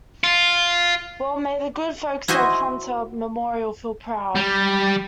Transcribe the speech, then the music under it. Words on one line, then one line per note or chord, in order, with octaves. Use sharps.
Well may the good folks of Hunter Memorial feel proud.
F4
E4 F#4 C5 D#5 G#5
G3